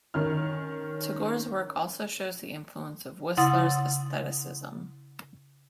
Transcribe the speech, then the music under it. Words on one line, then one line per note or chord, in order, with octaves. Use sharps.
Tagore's work also shows the influence of Whistler's Aestheticism.
D#3 C#4 F6
C#3 E4 F#5 C6 D#6 A6